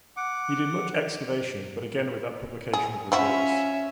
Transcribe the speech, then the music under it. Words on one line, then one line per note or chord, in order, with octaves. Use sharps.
He did much excavation, but again without publication of results.
F#5 D6
G#4
F3 C#4 E4 F#4 E5